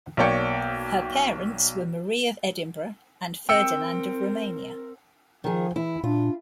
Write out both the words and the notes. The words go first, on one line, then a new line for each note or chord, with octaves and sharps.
Her parents were Marie of Edinburgh and Ferdinand of Romania.
B1 A#3 C#5 D5 G5 C#7
C4 A#4 G5 E6 C#7
D#3 F3 G#4
E3 E4
A#2 D4 F4